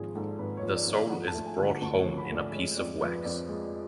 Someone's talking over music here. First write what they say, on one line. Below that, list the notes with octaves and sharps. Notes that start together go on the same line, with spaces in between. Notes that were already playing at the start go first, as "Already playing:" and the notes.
The soul is brought home in a piece of wax.
Already playing: G#1 F3 G#4
G#2 A4
G#1 B4
C#5
F3
D5
G#1
D5
F3 F#5
A5
A3
G#5
D3
F#5
D2 A5
C#5
F3
B5
A3
D5
G#3 C#5
F2 D5
F3 B4
F2 D5
G#3